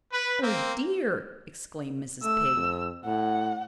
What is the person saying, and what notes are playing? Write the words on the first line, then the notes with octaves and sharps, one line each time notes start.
"Oh dear!" exclaimed Mrs. Pig.
B4
A#3 C4
A3 E6
F2
A2 F#5